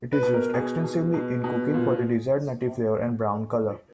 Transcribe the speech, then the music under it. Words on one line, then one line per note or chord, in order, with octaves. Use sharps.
It is used extensively in cooking for the desired nutty flavor and brown color.
B4
B2
A#4
B2 G#4
B2
B2
B2
A#2